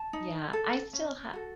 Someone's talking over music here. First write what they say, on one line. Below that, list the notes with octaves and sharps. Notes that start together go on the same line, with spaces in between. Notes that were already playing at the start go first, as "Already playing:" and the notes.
Yeah. I still ha
Already playing: A5
D#4
A4
C#4
F#4 A4